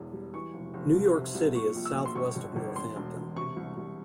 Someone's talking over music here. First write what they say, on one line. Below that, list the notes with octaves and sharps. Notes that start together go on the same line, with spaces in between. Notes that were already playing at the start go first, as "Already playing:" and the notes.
New York City is southwest of Northampton.
Already playing: E1 E2
G3
E3 C#6
F1
F1
C2
C3
C2
A#2 C#6
A#1
E6
A#1
C6
G1 C#6
G1
G1
E1 C6
E1
E1
C3 C#6
C2
C2